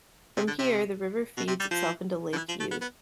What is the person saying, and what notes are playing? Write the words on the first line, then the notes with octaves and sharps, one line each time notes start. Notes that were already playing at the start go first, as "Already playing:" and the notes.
From here the river feeds itself into Lake Youd.
C3
D3
C3
B2
C3
G3
F3
D3
E3
F3
A3
B3
B3